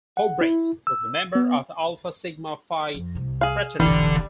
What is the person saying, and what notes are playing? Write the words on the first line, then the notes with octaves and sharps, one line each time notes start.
Houbregs was a member of Alpha Sigma Phi fraternity.
F#5
E4
E6
B3
F2
C2 C3
G#4 F5
F1 B1 D3 E3 G3 D4